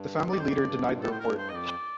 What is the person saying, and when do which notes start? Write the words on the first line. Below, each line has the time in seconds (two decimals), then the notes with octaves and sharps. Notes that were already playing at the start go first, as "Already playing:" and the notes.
The Family Leader denied the report.
Already playing: G2
0.28 F2 D5
0.39 C5
0.49 D5
0.65 G2
0.94 A#2
1.01 A2 A4
1.12 C5
1.19 A#4
1.25 G2
1.37 C5
1.49 F2 D#5
1.55 D5